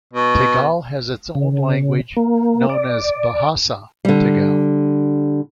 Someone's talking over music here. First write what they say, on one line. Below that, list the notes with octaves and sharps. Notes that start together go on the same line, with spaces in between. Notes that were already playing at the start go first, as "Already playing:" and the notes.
Tegal has its own language, known as "Bahasa Tegal".
B2
C#3
A#3
D5
D3 G3